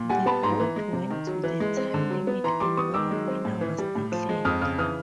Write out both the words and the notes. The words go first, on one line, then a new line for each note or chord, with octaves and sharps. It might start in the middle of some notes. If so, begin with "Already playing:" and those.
The bout went to the time limit and no winner was declared.
Already playing: A#2
G3 F#5 G#5
B3 A5 B5
G#2 A#5 C6
E3
G#3
C3
D#3
F#3
E3
G#3
C4
D3
F#3
B3
E3 A#5 C6
G3 C6 D6
B3 C#6 D#6
D#3 D6 E6
G#3
C4
A2
E3
G3
A2
F3
G#3
F2 D#6 F6
C#3 D#6 F6
E3 D#6 F6